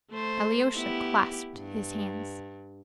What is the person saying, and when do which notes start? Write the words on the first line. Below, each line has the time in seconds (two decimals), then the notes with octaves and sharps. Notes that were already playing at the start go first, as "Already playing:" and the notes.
Alyosha clasped his hands.
0.11 A3 C5
0.75 B3 E4 G4
1.56 G2